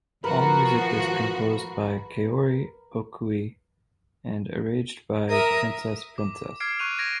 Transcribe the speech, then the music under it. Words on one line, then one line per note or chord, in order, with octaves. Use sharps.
All music is composed by Kaori Okui and arranged by Princess Princess.
G#1 F3 F#4 A#4 B4
A#4 E5 D#6
D6
D6 F6 G#6 C7 D7
C#6 F#6 D#7 F7
G#6 A#6 D7 F7